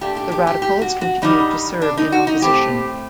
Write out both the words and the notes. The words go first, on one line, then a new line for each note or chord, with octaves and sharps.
The Radicals continued to serve in opposition.
A#2 A3 D4 G4
G4
G4
G4
G4
F#4
F#4
G2 D#3 G3 D#4
D4
D#4
F#4
D#4
A2 A3 C4 G4